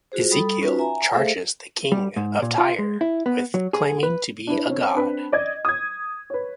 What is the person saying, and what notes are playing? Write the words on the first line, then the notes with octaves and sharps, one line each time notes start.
Ezekiel charges the king of Tyre with claiming to be a god.
F4 F#4 G#4 C5
G3 A4 B5 D#6
C#4 D#4 F4 F#4 B4
E5 G#5 A#5
A3 G#4 A4 C5 E5 F5
G3
G#2
A#2
F4
G#3
E4
B3
F#3
G#4
B4
D4 E4 B4
C4 C#4
C4 D4 B4
D5 D#5 G#6
D#6 G#6
B4 C#5